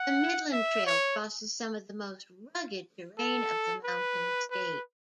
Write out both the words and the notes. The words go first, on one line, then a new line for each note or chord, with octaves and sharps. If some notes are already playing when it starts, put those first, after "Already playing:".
The Midland Trail crosses some of the most rugged terrain of the Mountain State.
Already playing: F#5
E5
C#5
A4
B4
B4